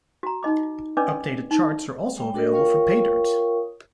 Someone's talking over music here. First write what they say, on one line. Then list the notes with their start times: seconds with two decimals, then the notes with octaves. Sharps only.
Updated charts are also available for Paydirt!
0.23 F#4 A#5
0.43 D#4 D#5 D6
0.97 C#4 D4 B4 D5 D#5 D6
1.51 D#4
2.16 G#3 G5
2.34 D4 F#4 A4 A#4 D#5
2.52 F4 A#4 C#5 F5 G5 C#6